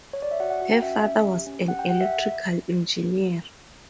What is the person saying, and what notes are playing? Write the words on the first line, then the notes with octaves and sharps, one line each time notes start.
Her father was an electrical Engineer.
C#5
D5
E5
F#4 F#5
F#5
F#4 F#5
G5
C#4 E5
C#4 E5
G4
C#4
G4 F#5
G5
G4 F#5
E5